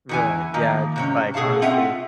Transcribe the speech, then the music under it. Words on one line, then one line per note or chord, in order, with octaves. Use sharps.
Right, yeah, just, like, honestly,
E2 E3 G#5
D#3 F3 A#3
G#2 C3 C#4
B2 G#4 A4 F5 A5
C4 F4 E5 F#5